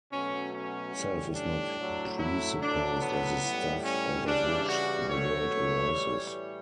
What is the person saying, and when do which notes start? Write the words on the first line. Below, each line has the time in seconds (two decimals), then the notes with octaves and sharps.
Self is not presupposed as a stuff out of which the world arises.
0.12 B2 F#3 A3 C#4
0.53 C#4
0.94 A2 G3
1.36 D4
1.78 A2 F#3 A3
2.19 E4
2.60 A2 F#3 A3 D4
3.02 B3
3.43 A2 G3
3.85 C#4
4.26 C#3 E3 G3 D4
4.68 F#4
5.09 B2 F#3 A3 C#5
5.92 A2 E3 G3